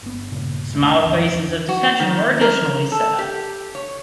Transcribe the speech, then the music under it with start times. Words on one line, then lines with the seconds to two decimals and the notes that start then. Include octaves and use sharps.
Smaller places of detention were additionally set up.
0.03 G1 B3
0.32 B1 G2 A#2 C#3
0.73 C#2 B2 A3
1.00 G1 C#2 E3
1.15 F1 E2
1.69 F#4
2.00 D#3
2.41 A#4
2.92 A4
3.19 G4
3.75 C#5